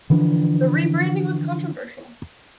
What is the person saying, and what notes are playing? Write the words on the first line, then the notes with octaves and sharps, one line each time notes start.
The rebranding was controversial.
D3 E3 F3 D4